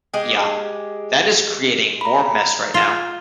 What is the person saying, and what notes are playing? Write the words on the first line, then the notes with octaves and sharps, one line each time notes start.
Ya. That is creating more mess right now.
G#3 G4
A#5 B5
F4